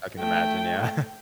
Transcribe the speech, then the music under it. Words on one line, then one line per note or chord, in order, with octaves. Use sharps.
I can imagine, yeah.
A3 G5